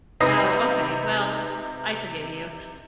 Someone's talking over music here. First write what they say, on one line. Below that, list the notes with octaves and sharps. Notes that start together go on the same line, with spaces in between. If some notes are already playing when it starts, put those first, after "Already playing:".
Oh, okay, well, I forgive you,
C3 D#4 B4 D#6 A#6 C7